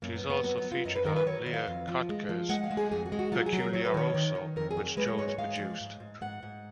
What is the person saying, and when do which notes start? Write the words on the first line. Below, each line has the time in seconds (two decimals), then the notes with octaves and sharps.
She is also featured on Leo Kottke's "Peculiaroso," which Jones produced.
0.02 F#2 A#3
0.16 B3
0.23 F#2
0.30 B3
0.43 F#3 B3
0.58 B3
0.64 F#3
0.72 F4
0.85 F#2 D#5
0.95 B4
1.05 D#3 A#4
1.16 B4
1.27 F#3 C#5
1.46 D#3
1.53 F5
1.68 F2
1.88 F3
2.09 G#3
2.29 F3
2.49 G#3 F#5
2.64 F5
2.71 G#3
2.77 G#4
2.91 F2 G#4
3.06 F#4
3.12 G#3
3.19 F#4
3.32 F#3 F4
3.46 G#4
3.53 F#3
3.60 A#4
3.73 F#3 C#5
3.85 B4
3.94 D#3 C#5
4.14 D#3
4.35 D#3
4.56 F2 A#4
4.71 G#4
4.77 F#3
4.97 G#3 B4
5.07 C#5
5.18 G#2 C#5
5.29 C#5
5.38 G#3 F5
5.59 F3
5.81 G#2
6.00 G#2
6.21 G#2 F#5
6.43 G#2